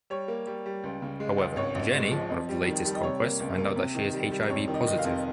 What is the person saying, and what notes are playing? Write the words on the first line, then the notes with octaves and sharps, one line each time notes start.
However, Jennie, one of his latest conquests, finds out that she is HIV positive.
G3 C#5
A#3
G3
G3
C#2
C#3
G#3
C#2
G#1 C#5
G#1
G#3
F3
F2
G3
D#3
G3
D#5
C3 C#5
A#3
C#2
A#3
C3
D#3
G3
G3
F2 C#5
D#3
D#5
F1 D#5
F5
F2